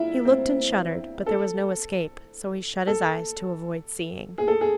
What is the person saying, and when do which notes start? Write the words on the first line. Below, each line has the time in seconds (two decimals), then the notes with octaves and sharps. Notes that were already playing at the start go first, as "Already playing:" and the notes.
He looked and shuddered, but there was no escape; so he shut his eyes to avoid seeing.
Already playing: E4 F4 E5
0.25 C4 C5
1.26 A4
2.87 A4
4.38 G#4
4.48 A4
4.61 G#4